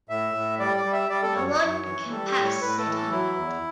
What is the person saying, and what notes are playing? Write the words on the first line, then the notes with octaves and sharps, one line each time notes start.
"No one can pass," said he.
A2 E5
A2
G3 D5
D5
G3
E5
G3 D5
A4
F#2 C#5
C#5
F#2
E3
G3 A4
G4
A2
C#5
A2 B4
A4
E3
A4
F#3 E4
E2